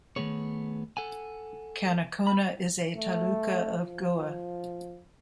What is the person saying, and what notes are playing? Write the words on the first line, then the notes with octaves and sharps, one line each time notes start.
Canacona is a taluka of Goa.
D#3 A3 B3 G#4 C#5
A4 F#5 G#5
B5
A3
F3